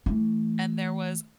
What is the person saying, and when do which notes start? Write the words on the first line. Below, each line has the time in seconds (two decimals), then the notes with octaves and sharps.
and there was
0.06 E3 A3